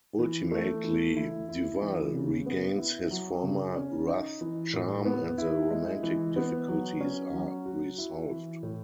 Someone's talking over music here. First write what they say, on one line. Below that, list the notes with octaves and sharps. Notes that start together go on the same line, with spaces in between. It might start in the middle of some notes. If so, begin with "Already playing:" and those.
Ultimately Duvalle regains his former rough charm and the romantic difficulties are resolved.
E3
A3
E3
E4
E4
E3
C#3
B3
E4
F#3
C#3
C#4
D#4
E3
A2
B3
E4
G#3
E3
B3
F#3
C#4
F#3
F#4
E4
E3
A2